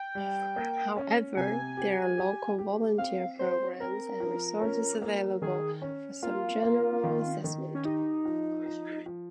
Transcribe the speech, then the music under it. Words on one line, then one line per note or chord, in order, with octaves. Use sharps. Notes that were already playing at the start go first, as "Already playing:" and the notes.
However, there are local volunteer programs and resources available for some general assessment.
Already playing: G5
G3
A#3
C#4
C3 G#5
G4
G4
G4
C4 F5
C4 C5
C4 A#4
F3
C#4
A#3
D#3 G#4
C#4
A#3 F4
A#3
D#3
D#3
C#4
D#4 G4
F3
F3
F3